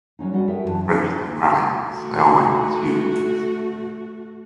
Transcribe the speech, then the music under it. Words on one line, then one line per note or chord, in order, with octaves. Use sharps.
The French then rallied and a stalemate ensued for the rest of the day.
F#3 G#3 C#4 D#4
G3 F#4 A#4 D#5 F#5
G4 A4 A#4 D#5 E5 G5
F#2 E3 A#4 B4 A5
C#4 F4
F4
A3 F#4